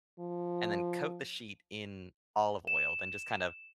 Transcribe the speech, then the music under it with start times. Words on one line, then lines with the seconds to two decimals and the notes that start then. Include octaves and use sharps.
and then coat the sheet in olive oil, then just kind of
0.19 F3
2.67 E7